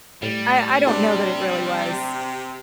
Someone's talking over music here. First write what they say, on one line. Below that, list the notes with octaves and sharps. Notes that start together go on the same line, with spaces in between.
I I don't know that it really was.
A2 G3
C3 D4